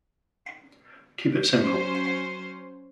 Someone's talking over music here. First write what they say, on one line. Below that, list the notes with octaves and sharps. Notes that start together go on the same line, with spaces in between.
Keep it simple.
F#3 C#4 C5